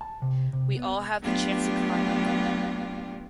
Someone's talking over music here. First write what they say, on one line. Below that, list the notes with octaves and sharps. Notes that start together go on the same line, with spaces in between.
We all have the chance to climb up the ladder.
A5
C3
C3
B3
F#3 A3 B3 D4 F4 G4